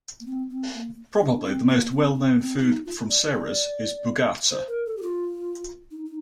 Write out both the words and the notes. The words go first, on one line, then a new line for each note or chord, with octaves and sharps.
Probably the most well-known food from Serres is Bougatsa.
A#3
C4
C4
A#3
D4
C4
A#3
C4
D4
C4
C4
F4
D#4
F4
D5
C5
A#4
A4
G4
F4
D#4
D#4